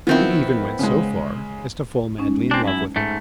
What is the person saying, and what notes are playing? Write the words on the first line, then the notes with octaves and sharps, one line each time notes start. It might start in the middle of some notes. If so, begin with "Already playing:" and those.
He even went so far as to fall madly in love with her.
D#3 F3 B3 C4 E4
C#3 G#3
G#3 C#4 D#4
C4 D4 G#5
F#2 E4 A5
G#2 A3